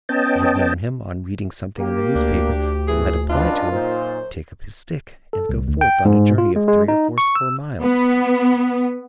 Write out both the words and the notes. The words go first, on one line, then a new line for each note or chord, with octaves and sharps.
I have known him, on reading something in the newspaper that might apply to her, take up his stick, and go forth on a journey of three--or four-score miles.
B3 C#4 D#5 G5 A5
A#3 G4
D2 D4
A#2 E3 G#4
C#2 D4 F4 B4 D#5
F#2 A#2 D#4 C5
A4
C2
D2
G5
G#2
F4
G#3
G#3
D#4
C#6
E6
B3